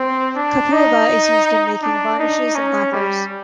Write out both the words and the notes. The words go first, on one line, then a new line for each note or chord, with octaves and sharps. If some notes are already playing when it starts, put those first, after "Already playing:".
Copaiba is used in making varnishes and lacquers.
Already playing: C4
D4
D#4
D4
D#4
C#4
G3